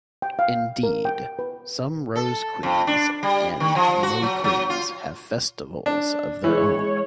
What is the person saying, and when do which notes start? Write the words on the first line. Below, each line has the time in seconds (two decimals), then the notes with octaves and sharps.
Indeed, some Rose Queens and May Queens have festivals of their own.
0.22 G5
0.39 F5
0.83 A#4
1.05 G5
1.39 B4
2.16 A4
2.63 F2
2.87 D4
3.23 G3
3.60 D#3
3.76 F3
4.03 F#4
4.22 F#3
4.44 F#3
4.70 F4
5.86 D4
6.44 E3 G#3 C#5